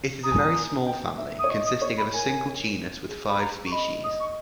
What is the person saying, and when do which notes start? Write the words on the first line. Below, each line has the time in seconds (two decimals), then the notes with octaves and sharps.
It is a very small family, consisting of a single genus with five species.
0.23 A#5 D#6
0.31 G#5
0.39 A#5
0.55 G#5
0.87 G5
1.18 E5
1.39 D#6
1.44 C#5
1.49 D#5 C#6
1.66 D#6
1.81 C#5 C#6
1.97 B5
2.13 A#4 G#5
3.08 G#4
3.29 B5
3.40 A#5
3.66 C#6
3.72 D#5 B5
4.03 D#5 D#6
4.20 C#6